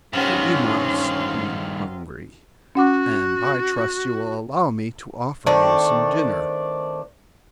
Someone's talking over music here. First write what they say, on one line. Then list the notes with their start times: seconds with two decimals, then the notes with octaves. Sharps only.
But you must be hungry, and I trust you will allow me to offer you some dinner.
0.13 G2 C3 D#3 B3 C#4 F5 C6
2.75 C#4 F#4 F#5 D6
5.46 D#3 A3 C4 D4